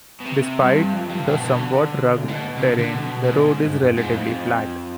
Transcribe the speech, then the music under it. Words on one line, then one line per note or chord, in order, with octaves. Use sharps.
Despite the somewhat rugged terrain, the road is relatively flat.
B2
C3
G2
F2
G2
B2
D3
G#2
B2
C3
D3
D3
B2
B2
G#2
G2
F2
G#2
F2